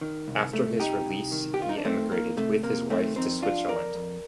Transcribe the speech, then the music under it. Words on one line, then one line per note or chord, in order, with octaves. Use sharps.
After his release he emigrated with his wife to Switzerland.
D#3
C2
C2 A3
C2 D#4 G4
C2
D#3
G4
D#3 F4
D#4
D4
D#3 A3 C4
D#3 A#3
C3 A3
C3 A#3
D#3 A3 C4
F2 C4 D#4
F2 D4 F4
F2 A#4 D5
F2